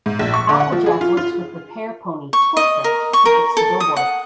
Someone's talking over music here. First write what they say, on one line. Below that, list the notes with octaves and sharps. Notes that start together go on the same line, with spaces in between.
Applejack works with repair pony Torque Wrench to fix the billboard.
G#2
A#1
C#6
D3
F#5
F3
G#4
F4
F4
C#6
D#5
A#4
C#6
A#4
A4
D#6
F#5